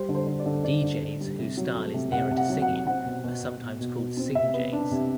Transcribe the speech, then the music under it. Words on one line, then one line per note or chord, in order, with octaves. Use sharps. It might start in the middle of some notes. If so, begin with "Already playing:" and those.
Deejays whose style is nearer to singing are sometimes called singjays.
Already playing: G3 C5
D3
C5
D3
D5
D3
D3 D5
D3
D3
G3
C3
F#3
A3
C3
C3 F#5
C3
F#5
F#3
F#5
C3
C4 F#5
B2
B2
B2
B2
B2
B2
C4
C3 E5
B3
D4
C3